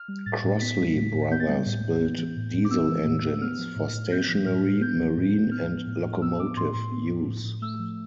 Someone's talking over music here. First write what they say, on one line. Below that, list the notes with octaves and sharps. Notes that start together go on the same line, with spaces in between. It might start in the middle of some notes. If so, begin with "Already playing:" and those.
Crossley Brothers built diesel engines for stationary, marine and locomotive use.
Already playing: F6
G3
A2 A6
A2
B3 B6
G3
A2
A2
B3 G6
A6
G3 G6
A2
A2
B3
E3
A2
A2
D6
B3 E6
E3
A2
A2
B3 F6
F3
A2
A2
B3 G6
F3
A2 F6
A2
B3 G6
F3
A2
A2
B3 F6
F3
A2
A2
B3 E6
F3 D6
A2 C6
A2 C6
B3
F3
A2
A2
A3 E6
F3